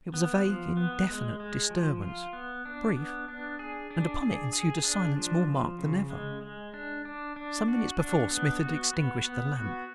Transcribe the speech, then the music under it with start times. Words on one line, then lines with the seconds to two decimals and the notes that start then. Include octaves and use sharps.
It was a vague, indefinite disturbance, brief, and upon it ensued a silence more marked than ever. Some minutes before, Smith had extinguished the lamp.
0.14 B3
0.44 F3
0.77 B3
1.08 G#3
1.40 G#3
1.70 F3
2.02 F4
2.33 B3
2.65 D4
2.96 B3
3.28 D4
3.59 G#4
3.91 D4
4.22 G#4
4.53 G#4
4.85 D4
5.16 F3
5.47 F3
5.79 C#3
6.10 G#3
6.42 G#3
6.74 D4
7.05 D4
7.36 D4
7.68 F#4
8.00 D4
8.30 B3
8.62 F#4
8.93 B3
9.25 B3
9.57 F#4